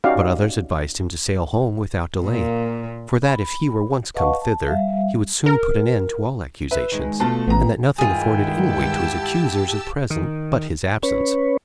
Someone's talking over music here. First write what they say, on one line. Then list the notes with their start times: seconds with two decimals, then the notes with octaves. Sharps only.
But others advised him to sail home without delay; for that if he were once come thither, he would soon put an end to all accusations, and that nothing afforded any weight to his accusers at present but his absence.
0.04 C#4 D#4 F#4 G4 D5 F5
2.23 A#2 A#3
3.23 B5
4.15 B4 D#5 F5 F#5 A5 C#6
4.42 A5
4.66 G3 E5 F5
5.46 A#4
6.71 B4 E5
6.92 D#3 G#3
7.20 B2 A3 F4 A5
7.47 A1 B3 A#5
7.98 G2 D#3 G#3 E4 F4 G#4 F#5 G5
8.60 G4 A5 E6
10.10 D#3
11.03 C#4 B4 C#5